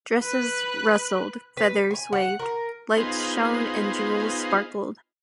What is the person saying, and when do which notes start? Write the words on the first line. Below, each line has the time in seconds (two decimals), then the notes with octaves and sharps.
Dresses rustled, feathers waved, lights shone, and jewels sparkled.
0.22 B4 F#6
1.57 B4
1.91 G#5
2.13 F#5
2.39 A#4
2.97 B3 D#4 F4 G#4 C5